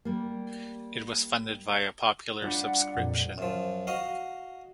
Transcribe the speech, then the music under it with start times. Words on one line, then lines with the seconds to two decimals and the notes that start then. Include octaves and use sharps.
It was funded via popular subscription.
0.05 G3 A#3
2.42 G3 D4 F4 F#5
2.94 F2 A#2
3.38 F#2 F3
3.87 F#4 D#5 F5